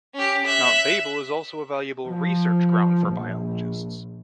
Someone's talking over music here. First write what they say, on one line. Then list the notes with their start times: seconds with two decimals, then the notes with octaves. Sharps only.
Mount Babel is also a valuable research ground for biologists.
0.14 C#4 G4
0.46 E5 F#6
2.07 F3
3.08 A#1